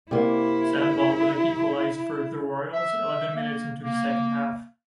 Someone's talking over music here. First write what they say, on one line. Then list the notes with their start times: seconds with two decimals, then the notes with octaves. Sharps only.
Sam Baldock equalised for "the Royals" eleven minutes into the second half.
0.11 C3 A#3 E4
2.73 E5
3.35 A#3
3.83 A#3